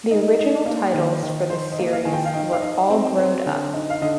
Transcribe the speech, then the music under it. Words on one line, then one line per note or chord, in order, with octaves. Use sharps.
The original titles for this series were All Growed Up!
D#4
D#4
A#3
D#3
D#3
D#3 C5
D#5
A#3
F5
D#3 G#5
G5
F5
D#4 G5
F5
D#4 D#5
C4
C4
D3
D#4
F5
D3 D#5